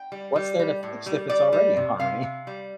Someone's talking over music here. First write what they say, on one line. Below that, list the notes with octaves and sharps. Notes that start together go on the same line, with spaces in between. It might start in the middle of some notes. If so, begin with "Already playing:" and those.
What's there to fix, if it's already in harmony?
Already playing: G5
G3
G3
G3
A2
G3
G3 D5
G3
C3
C3 F5
C3
G3